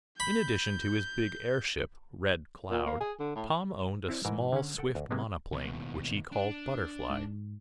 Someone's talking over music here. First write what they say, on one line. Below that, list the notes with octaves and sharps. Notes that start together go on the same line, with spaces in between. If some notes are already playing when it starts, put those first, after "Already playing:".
In addition to his big airship, Red Cloud, Tom owned a small, swift monoplane, which he called Butterfly.
B5 G6
A#2
A#3
G#4
D3
A2
C4 E4 C#5 D5
G#2 E3 A#4 A#5
D3 C#4
A4 F#5 G5
D2
C3 F#3 G#3 A#3 B3
D#2 B2
D4
G#2